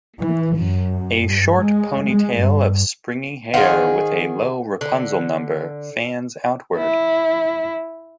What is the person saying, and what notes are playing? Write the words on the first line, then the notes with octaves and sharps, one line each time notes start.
A short ponytail of springy hair with a low Rapunzel number, fans outward.
E3
F#2
G2
G#3
G#3
G2
D#3 G#4 C5 F5 F#5
D3
E4